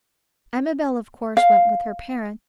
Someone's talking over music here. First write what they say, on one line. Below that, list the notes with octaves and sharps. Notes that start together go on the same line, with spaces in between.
Amabel, of course, went with her parents.
F5